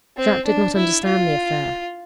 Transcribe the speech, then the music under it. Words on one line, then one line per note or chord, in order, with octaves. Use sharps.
Jacques did not understand the affair.
C4
D4
E4
F4